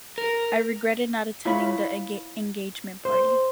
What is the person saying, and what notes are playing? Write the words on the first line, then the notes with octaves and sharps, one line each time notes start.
I regretted not attending the engagement party.
A#4
E4 F4 C#5 B5
C5